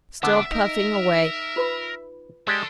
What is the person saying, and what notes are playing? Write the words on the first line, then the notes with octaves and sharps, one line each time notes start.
Still puffing away.
D3 B3 D4 E5 F#5
D#4 A#4
F4 B4 B5
G#3 D4 G4 A4 D5 C6